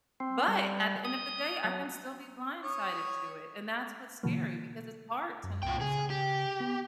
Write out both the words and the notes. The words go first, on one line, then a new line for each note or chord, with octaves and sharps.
but at the end of the day, I can still be blindsided to it, and that's what's scary because it's hard to know sometimes.
C4
G3
D#6
F#3
C#5 D#6
B2 D3 E3 F#3 A#3
F#2
C2 A#2 G5
C#3 G#4
G4
B3